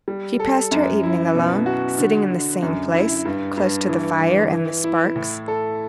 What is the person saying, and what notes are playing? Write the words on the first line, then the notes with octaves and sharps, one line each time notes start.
She passed her evening alone, sitting in the same place, close to the fire and the sparks.
G3
A4
F#2
E4
B2
F#4
D3
D3
F#2
E4
G2
G2
E3
E3
E3
E4
A2
A4